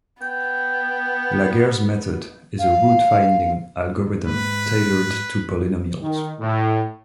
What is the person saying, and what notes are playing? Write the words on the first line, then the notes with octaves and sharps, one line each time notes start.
Laguerre's method is a root-finding algorithm tailored to polynomials.
B3 G5
F5
G#2 B4
D#3
A2